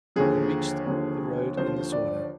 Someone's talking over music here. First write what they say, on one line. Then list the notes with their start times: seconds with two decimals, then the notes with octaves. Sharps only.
They reached the road in this order.
0.16 D#2 D3 F3 G#4
0.86 D#2 D3 F3
1.57 D#2 D3 F3 C5
1.92 D5